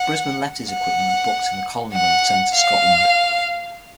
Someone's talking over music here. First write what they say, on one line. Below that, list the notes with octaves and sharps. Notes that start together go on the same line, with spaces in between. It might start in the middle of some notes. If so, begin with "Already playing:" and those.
Brisbane left his equipment and books in the colony when he returned to Scotland.
Already playing: F#5
F#5
F#5
F5